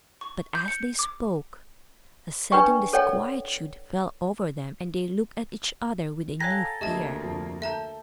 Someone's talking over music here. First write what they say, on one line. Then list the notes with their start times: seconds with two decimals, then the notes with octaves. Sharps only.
But, as they spoke, a sudden disquietude fell over them, and they looked at each other with a new fear.
0.21 C#6
0.55 G6
0.68 C#7
0.99 D6
2.52 D4 B4 D5 G5 C#6
2.93 A4 C#5 D5 F#5 G5
6.40 A4 C#5 F5 G5 G#5 A#5 F#6 B6
6.81 D2 A#3 G4 D#5 E5 A5
7.22 F2 C3 F3
7.62 A4 E5 A5 A#5 G6